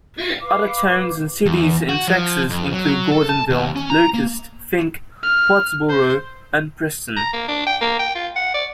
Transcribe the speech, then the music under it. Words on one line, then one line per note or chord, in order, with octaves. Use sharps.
Other towns and cities in Texas include Gordonville, Locust, Fink, Pottsboro, and Preston.
B4 F5 D6
E2
F#4
F3
F2
F#3
A4
A5
D#2
C#4
A#5
A#3
F6
C5
A#5
A#3
D4
G5
A#3
G5
F4
F#5
D5